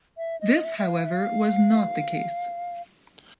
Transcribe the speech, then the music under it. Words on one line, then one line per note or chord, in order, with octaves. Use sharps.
This, however, was not the case.
E5
D#5
E5
E5
F5
E5
F5